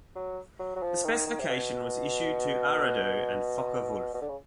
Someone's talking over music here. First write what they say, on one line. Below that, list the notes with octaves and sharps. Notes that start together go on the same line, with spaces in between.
The specification was issued to Arado and Focke-Wulf.
F#3
F#3
F#3
F3
D#3
D#3
C3
B2
B2
D3
C#3